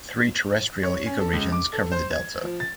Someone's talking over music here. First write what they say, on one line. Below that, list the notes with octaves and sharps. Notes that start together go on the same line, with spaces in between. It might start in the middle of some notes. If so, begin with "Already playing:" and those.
Three terrestrial ecoregions cover the delta.
C#5
C#4
A4
C#2
D6
A4
C5
G#6
F3
A6